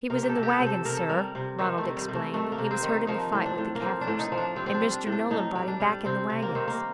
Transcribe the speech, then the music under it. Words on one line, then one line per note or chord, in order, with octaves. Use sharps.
"He was in the waggon, sir," Ronald explained; "he was hurt in the fight with the Kaffirs, and Mr. Nolan brought him back in the waggons."
C3 A#4
G4
A4
C3
G4
A4
C3
A4
C3 A#4
A4
G3 A#4
C3
D#3 C4
A3
C3
G3
C3
A3
D#3 A3
A#3
C3
C4
D#3
D#4
F3 D#4
A2 C4
D4
A2
A#3
F3 C4
D4
A2
D#4
F3
D4
G3 C4
C4
D4
G3
D4
A2
D4
A2 D#4
G3
D4
G3
C3 C4
C3
A#3
D#3 C4
A#3